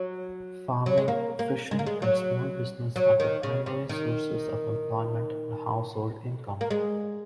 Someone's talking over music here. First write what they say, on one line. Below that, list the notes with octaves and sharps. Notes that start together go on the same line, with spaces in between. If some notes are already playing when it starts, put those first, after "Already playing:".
Farming, fishing, and small business are the primary sources of employment and household income.
Already playing: F#3
F#3
G#3
A#3
A#3
G#3
A#3
G#3
F#3
F#3
D#3
C#3
C#3
D#3
A#3
G#3